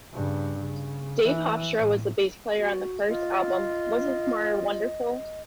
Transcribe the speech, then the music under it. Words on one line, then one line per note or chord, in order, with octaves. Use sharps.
Dave Hofstra was the bass player on the first album, Wasn't Tomorrow Wonderful?
G2 C#3
C#3
E3
A2
F#4
F4 D#5